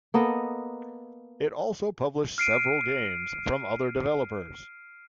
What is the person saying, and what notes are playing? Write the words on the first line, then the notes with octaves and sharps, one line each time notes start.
It also published several games from other developers.
A#3 B3 A4 D#5
F6 C7 D7 D#7